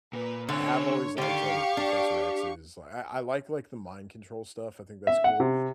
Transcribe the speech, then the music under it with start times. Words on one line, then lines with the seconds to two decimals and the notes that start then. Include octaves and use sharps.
I have always liked like Professor X's, I I like, like the mind control stuff, I think that's cool.
0.13 A#2 B4
0.49 D3 C4 C#4 C#5
1.18 D3 D#3 G4 F5 C#6
1.77 D4
5.07 E5
5.24 F#5
5.40 C3